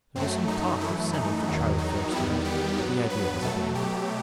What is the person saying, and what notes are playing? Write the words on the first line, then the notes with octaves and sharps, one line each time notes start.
There was some talk of sending for Charlie Fairstairs, but the idea was abandoned.
F#2 F#3 A3 C4
D#4
F#2 E3 A3 E4
D#4
E2 D#3 F#3
D#4
E2 D#3 G3 B3 E4
G4
G2 F#3 B3
B4
B2 F#3 A3 A4
G4